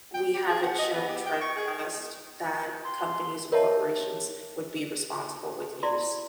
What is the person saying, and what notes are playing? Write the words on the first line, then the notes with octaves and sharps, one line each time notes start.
we haven't shown trust that companies and corporations would be responsible with use.
G5
G4
G#4
F#5
D#5
B3
G4
G5
C#6
G#4
C6
A#4 C#5 D#5 E5 F#5 A5
E4 D5 C6